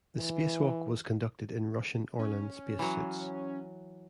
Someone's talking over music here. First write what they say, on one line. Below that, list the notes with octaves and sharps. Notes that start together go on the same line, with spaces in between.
The spacewalk was conducted in Russian Orlan spacesuits.
E3
C#4
E3 F#3